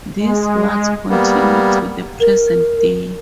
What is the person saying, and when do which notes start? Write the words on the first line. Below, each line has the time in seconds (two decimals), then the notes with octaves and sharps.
These wards continue to the present day.
0.18 G#3
1.10 G3 A#3 B3
2.20 A#4